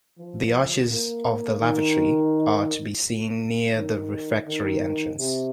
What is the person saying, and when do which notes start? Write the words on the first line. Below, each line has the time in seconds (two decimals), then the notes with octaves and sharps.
The arches of the lavatory are to be seen near the refectory entrance.
0.18 F3
0.90 A#3
1.61 D#3
3.75 D#3
4.47 D#3
5.19 C3